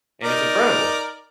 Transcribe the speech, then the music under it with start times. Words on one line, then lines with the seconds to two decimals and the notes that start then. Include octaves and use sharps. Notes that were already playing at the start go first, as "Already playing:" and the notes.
And it's incredible.
0.24 D#4 A#4 D5